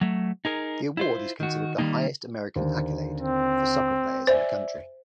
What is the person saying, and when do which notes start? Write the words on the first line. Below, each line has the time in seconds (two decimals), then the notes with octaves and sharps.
The award is considered the highest American accolade for soccer players in the country.
0.01 F#3 A3
0.45 D#4 G#4 A#4
0.97 E4 F4 C5
1.40 D#3 F#4
1.78 D#3 G3 G#3 A#3 D#4
2.56 D#2 D3 C5
3.18 C4
4.27 C5 D5 E5 G#5